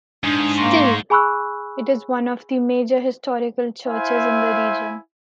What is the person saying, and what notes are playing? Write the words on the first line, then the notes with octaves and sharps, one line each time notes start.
Still, it is one of the major historical churches in the region.
G#2 D4 D#6
A#3 A#5 C6 C#6
G#4 G#5 B5 C#6 E6 F#6
E4 C5 E5 F5 G#5